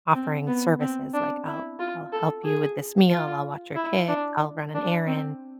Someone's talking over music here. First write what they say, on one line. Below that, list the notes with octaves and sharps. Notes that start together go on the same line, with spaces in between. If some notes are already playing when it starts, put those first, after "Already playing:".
offering services- like, I'll I'll help you with this meal, I'll watch your kid, I'll run an errand,
C4
B3
C4
D4
E4
F4
A4
G#4
F4
E4
D4
D4
C4